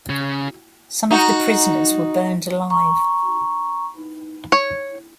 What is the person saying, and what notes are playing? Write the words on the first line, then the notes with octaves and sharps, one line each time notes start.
Some of the prisoners were burned alive.
C#3
D#4 F#4
A#5 C#6
C#5